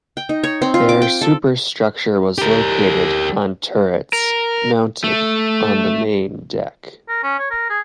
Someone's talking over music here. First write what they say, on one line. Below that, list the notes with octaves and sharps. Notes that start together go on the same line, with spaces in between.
Their superstructure was located on turrets mounted on the main deck.
G5
D#4
C#5
C4
F4
D6
G5
A4
G4 A#4
A#4
A3
A#4
C#4
C#5
A#4
G#4